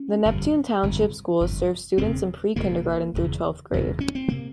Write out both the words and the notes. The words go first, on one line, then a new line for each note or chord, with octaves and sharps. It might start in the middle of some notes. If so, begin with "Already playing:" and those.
The Neptune Township Schools serve students in pre-kindergarten through twelfth grade.
Already playing: C#4
G1 F2 C3
G1 F2 C3
G1 F2 C3
E1 E2 C#3 C4
E1 E2 C#3 A#3
E1 E2 C#3
E1 E2 C#3
C#4
C4
C3 A#3